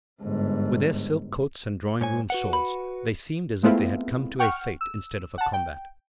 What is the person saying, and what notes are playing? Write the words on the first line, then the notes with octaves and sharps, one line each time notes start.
With their silk coats and drawing-room swords, they seemed as if they had come to a fete instead of a combat.
G1 G#2
G#2 C#5 G#5
F#4 B4 F#5
B5
G#3 A3 B3 C4 E4 F4
F#5 G5 C#6 F6
E6
F#5 A5
G5